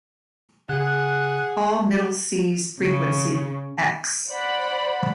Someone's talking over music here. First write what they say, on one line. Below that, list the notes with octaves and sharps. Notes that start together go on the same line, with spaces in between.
Call middle C's frequency "x".
C#3 G#4 F#5 F#6
C#3
C5 D5 F#5 B5